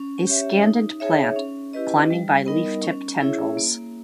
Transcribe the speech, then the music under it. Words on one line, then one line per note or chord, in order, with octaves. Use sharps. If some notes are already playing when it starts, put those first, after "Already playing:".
A scandent plant, climbing by leaftip tendrils.
Already playing: C#4
G4 C#5 E5
D#4
G#4 C#5 E5
C#4
E4 G4 B4 D#5
G3
B3 D#4 A#4 D#5
C#4
E4 G#4 C#5 E5
A#3